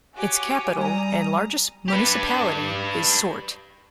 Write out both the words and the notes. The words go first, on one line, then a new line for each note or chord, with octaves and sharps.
Its capital and largest municipality is Sort.
F#4 G4 C#5 G#5
G3 A#5 D#6
G4 B4